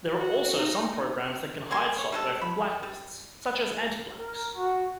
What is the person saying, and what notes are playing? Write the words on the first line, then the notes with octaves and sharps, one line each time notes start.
There are also some programs that can hide software from blacklists, such as Anti-blaxx.
F#4
D#4
G#3 A#3 G#5 C6
C#5
G3 G#3 A4
B5
G3
A#4
F#4